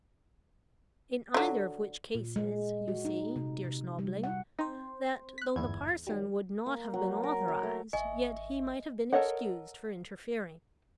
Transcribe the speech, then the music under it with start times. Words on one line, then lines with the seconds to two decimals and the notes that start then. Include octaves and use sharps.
In either of which cases, you see, dear Snobling, that though the parson would not have been authorised, yet he might have been excused for interfering.
1.34 D3 F#3
2.15 A#2
2.36 G#3
2.88 F#4
3.05 D#4
3.36 C3
3.64 C3
3.99 G3
4.24 F#5
4.59 C4 D#4 C5
5.38 F#6 B6
5.56 G1 E2 G#2 E4 G#6
6.07 D#3 F#3 G3
6.66 A#3
6.94 F#3
7.23 A#4
7.48 C#5
7.63 A3
7.93 G#1 D#5 E5 G#5 C#6
9.13 A4 A#4 C#5 D#5 F#5